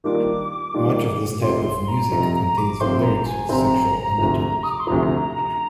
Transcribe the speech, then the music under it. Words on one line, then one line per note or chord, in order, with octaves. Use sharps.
Much of this type of music contains lyrics with sexual undertones.
D#3 G3 A#3 D4 F4 D6
D#3 G3 A#3 D4 F4
F2 C3 F3 C6
C6
A#5
F2 C3 F3 A#5
A#5
D6
C3 F3 C4 F4 C5 C6
A#5
G#5
C3 F3 C4 F4 C5 A#5 C6
D2 C3 F3
D#6
D6
C6
D2 C3 F3 A#5